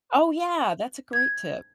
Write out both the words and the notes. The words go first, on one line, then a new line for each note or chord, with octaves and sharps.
Oh yeah, that's a great tip.
G#6